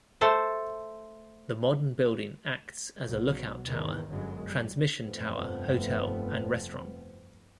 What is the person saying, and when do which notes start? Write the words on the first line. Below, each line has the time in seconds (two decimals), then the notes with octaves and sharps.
The modern building acts as a lookout tower, transmission tower, hotel and restaurant.
0.21 A3 A4 C5 A5
3.06 B1 B2 F#3
3.66 E2 G#2 C3 D#3 E3
4.08 G1 F#2 F#3 G#3
4.49 G3
5.02 F1 G2 F3 A3 B3 C4